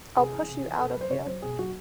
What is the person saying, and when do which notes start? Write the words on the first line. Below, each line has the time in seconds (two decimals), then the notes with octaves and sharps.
I'll push you out of here.
0.16 C3 G#4
0.33 E3
0.48 C3
0.64 E3
0.79 B2 A4
0.91 B4
0.95 F#3
1.01 C5
1.10 C#3 C#5
1.26 F#3 C5
1.42 B2 G#4
1.59 F#3 F#4